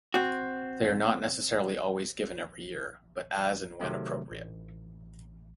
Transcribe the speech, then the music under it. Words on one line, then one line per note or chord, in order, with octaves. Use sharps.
They are not necessarily always given every year, but as and when appropriate.
C4 F#4
C3 D#3 F#3 A3 C4
A1